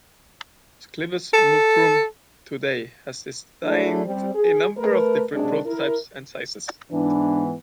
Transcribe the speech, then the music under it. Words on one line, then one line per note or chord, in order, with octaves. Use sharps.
Clivus Multrum today has designed a number of different prototypes and sizes.
A4
F#3 A3 D4 E4 G#4 D5
G3 C4
G#4
A3 A#4 B4
F#2 C3 G#3 C#4 D4
E4 A#4
G#2 E3 B3 D4